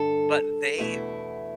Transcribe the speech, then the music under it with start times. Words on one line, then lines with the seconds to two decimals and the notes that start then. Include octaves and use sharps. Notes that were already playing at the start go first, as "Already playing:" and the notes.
but they
Already playing: G2 D3 G3 A4
0.79 E2 B2 A3 E4